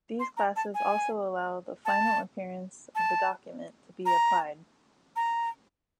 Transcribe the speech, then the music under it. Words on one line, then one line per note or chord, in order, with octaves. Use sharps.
These classes also allow the final appearance of the document to be applied.
C6
A#5
A5
G#5
A5
A5
A#5
A#5